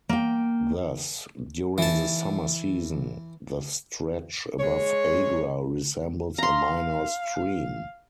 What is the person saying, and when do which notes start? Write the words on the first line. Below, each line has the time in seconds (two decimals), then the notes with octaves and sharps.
Thus, during the summer season, the stretch above Agra resembles a minor stream.
0.09 A#3 G5
1.78 E3 A5
4.60 G#3 C#5
6.38 F5 A#5 C6